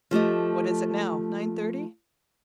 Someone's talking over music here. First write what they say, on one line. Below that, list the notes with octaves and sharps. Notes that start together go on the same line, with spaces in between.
What is it now--nine thirty?
F3 A3 G4 D#5